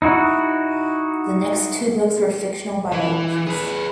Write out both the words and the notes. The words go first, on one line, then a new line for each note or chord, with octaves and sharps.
The next two books were fictional biographies.
D#4 E4 F#4
E3
G#4 B4